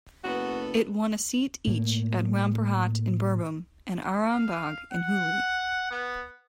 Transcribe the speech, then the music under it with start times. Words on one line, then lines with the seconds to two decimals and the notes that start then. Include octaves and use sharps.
It won a seat each at Rampurhat in Birbhum and Arambagh in Hooghly.
0.24 F#1 B3 F#4 A4
1.67 A2 A3 A#3
4.30 F5
4.92 F#5
5.91 B3